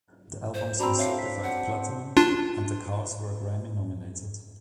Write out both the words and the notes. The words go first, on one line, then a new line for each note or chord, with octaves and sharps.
The albums were certified platinum and The Cars were Grammy nominated.
C5
C4 D4 F#4 A#5 B5
F#4 C#5 E5 F5
B6
F#5
D4 F4